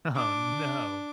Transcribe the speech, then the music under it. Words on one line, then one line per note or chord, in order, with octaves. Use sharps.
Oh, no.
D4 D6